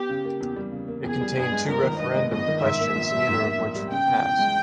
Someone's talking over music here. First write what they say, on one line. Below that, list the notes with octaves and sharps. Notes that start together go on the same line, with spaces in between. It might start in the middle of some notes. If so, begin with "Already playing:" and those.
It contained two referendum questions, neither of which passed.
Already playing: B3 G4
C#3
A#3
E2
G3
C#3
A#3
E2 G#4
G3
G2 G#4
G#3
G1 A#4
D#3
G2 D#5
G#3
G1 D#5
D#3
G#2 E5
A#3
A#1
G3
G#2
A#3
A#1
G3
C#3 G5
B3
E2
G#3